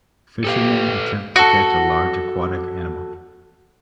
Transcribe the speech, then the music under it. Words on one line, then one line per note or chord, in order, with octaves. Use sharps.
Fisherman attempt to catch a large aquatic animal.
G4 A4 B4 F5
F#4 A4